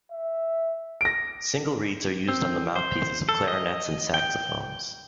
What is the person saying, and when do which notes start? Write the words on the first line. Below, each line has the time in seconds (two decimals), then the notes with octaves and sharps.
Single reeds are used on the mouthpieces of clarinets and saxophones.
0.10 E5
1.01 A#6 D7
2.28 C4
2.76 C5
3.29 A4
3.48 D#5
4.14 G5